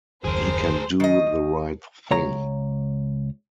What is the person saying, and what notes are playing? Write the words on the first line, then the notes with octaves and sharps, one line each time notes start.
He can do the right thing.
F#1 D#2 G#4 A#4 C5
D#3 D#5
C#2 C#5 A#5